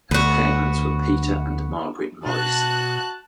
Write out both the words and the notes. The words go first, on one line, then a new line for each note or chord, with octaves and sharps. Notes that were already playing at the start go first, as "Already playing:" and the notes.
Her parents were Peter and Margaret Morris.
D2 B3 F#4
B2 F#4 A5 F#6